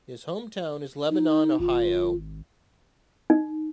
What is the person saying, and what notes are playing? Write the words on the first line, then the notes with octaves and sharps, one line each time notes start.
His hometown is Lebanon, Ohio.
D#4
G#1 F4
D#4